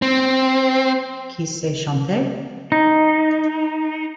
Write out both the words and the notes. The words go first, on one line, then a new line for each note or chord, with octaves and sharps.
Qui sait chanter?
C4
D#4